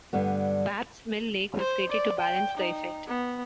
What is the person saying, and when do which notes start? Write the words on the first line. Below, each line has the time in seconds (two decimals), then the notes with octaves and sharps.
Babbs Mill Lake was created to balance the effect.
0.13 G2 D3 G3 B3
1.58 C5
1.90 D5
2.19 G5
2.57 D#4
3.07 B3